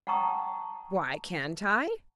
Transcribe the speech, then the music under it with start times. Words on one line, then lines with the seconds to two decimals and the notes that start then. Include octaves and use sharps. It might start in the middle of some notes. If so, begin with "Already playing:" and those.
"Why can't I?"
0.07 F#5 G5 A5 A#5 C#6 D#6